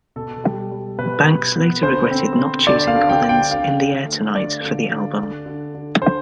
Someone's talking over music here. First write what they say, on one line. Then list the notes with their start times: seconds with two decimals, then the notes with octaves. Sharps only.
Banks later regretted not choosing Collins' "In the Air Tonight" for the album.
0.16 B2 A4
0.44 G3
0.72 G3
0.99 B2 B4
1.27 B2
1.56 B3
1.83 D3 C5
2.11 C4
2.39 C4
2.66 D3 D5
2.87 F5
2.95 D3
3.09 G5
3.23 D3
3.29 G5
3.51 D3 F5
3.79 D3
4.06 A3
4.34 D3 D5
4.62 D3
4.90 D3
5.19 D3
5.46 D3
5.75 D3
6.02 D3 C5